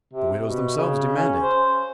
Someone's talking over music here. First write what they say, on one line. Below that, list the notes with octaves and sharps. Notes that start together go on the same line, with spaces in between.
The widows themselves demand it!
C3
B2
C#3
C#4
C5